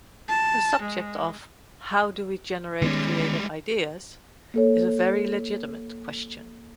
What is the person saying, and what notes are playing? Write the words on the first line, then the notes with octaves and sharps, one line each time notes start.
The subject of, "How do we generate creative ideas?" is a very legitimate question.
A5
G#3
D#3 G3 G#3 B3 C#4
A#3 A4 C#5